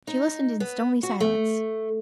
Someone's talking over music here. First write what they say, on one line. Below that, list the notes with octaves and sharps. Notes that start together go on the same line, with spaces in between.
She listened in stony silence.
D#4
B3
F#4
A3